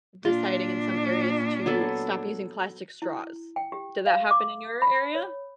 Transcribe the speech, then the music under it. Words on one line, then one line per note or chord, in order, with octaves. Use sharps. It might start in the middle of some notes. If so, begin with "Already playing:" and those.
deciding in some areas to stop using plastic straws. Did that happen in your area?
A#2 D4 F4
F#3 B3 A4
E4
G5
G4
F5
D6
B5
C#5